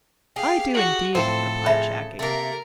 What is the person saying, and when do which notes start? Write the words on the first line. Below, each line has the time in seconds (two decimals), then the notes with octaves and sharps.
"I do, indeed," replied Shaggy.
0.36 G4 G#4 F5
0.74 F#4
1.15 A2 F3 C4 A4 C5
1.66 C#3 E5 B5
2.19 C3 A3 A#3 A#4